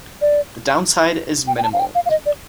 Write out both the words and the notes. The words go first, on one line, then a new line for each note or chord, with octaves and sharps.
The downside is minimal.
D5
G5
G5
A5
F5
G5
F5
F5
D#5
D5